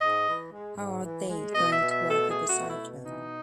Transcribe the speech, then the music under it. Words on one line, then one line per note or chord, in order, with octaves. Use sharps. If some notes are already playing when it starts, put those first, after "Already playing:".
How are "they" going to work up a cyclone?
G#2 D#5
E3
G#3
G#2
E3
G#3
B2 D#5
E5
B2
E5
A3
A4
A3 G#4
F#4
B2
E4
B2
E3 D#4